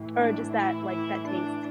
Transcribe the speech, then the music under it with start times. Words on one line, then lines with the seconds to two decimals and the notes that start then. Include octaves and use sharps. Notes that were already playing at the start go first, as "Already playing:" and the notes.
or just that, like, that taste.
Already playing: A2 E3
0.15 D4
0.51 E4
0.88 E4
1.26 D4